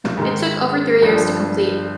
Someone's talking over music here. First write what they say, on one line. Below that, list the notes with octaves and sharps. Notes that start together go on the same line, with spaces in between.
It took over three years to complete.
G#2 D#3 G#3
G1 G2 F3